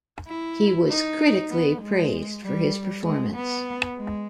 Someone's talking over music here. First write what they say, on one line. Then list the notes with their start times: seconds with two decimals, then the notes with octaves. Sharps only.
He was critically praised for his performance.
0.28 E4
0.89 D#4
1.50 B3
1.82 G#3
2.43 G3
3.04 G#3
3.35 B3
3.97 G#3